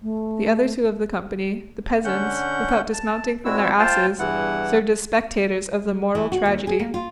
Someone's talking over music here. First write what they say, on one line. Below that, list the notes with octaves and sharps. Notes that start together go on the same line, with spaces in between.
The other two of the company, the peasants, without dismounting from their asses, served as spectators of the mortal tragedy.
A3
D3 C#4 F#5 G6
A5
A#2 G#3 C4 E4 F#4 E6
F4 C5 F5 G5 A5
E2 G2 E3 E4 F#5
E3
F#4
D#2
G#4
A#3
F4